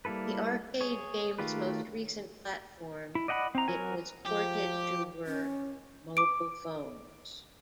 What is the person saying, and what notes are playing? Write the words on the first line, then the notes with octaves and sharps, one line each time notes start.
The arcade game's most recent platform it was ported to were mobile phones.
G3 A#3 E4 A4 B4
G#4 C#5
D#3 A3 F4 G4 B4
E4
D5 D#5 F#5 G5 B5
C4 A#5
F#3 A#4 G#5
F3 G4
C#4
D6 D7